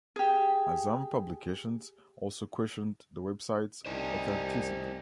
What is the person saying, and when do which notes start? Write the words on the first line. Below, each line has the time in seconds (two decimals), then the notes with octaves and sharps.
Azzam Publications also questioned the website's authenticity.
0.16 G4 G#4
3.86 C2 D#4 G4 C5 D5 G#5